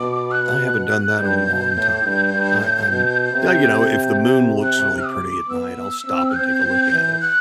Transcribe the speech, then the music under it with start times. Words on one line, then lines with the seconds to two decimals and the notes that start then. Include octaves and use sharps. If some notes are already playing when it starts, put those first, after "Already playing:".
I haven't done that in a long time. I I'm yeah, you know if the moon looks really pretty at night, I'll stop and take a look at it.
Already playing: B2 D6
0.31 F#6
1.17 G2 G6
1.46 B2
1.76 A2
2.04 G2
2.33 G2
2.61 A2
2.90 B2
3.33 C3
4.63 F#6
5.06 D6
5.49 B3 E6
6.07 C4
6.35 C4 G6
6.64 C4
6.92 E3
7.21 F#6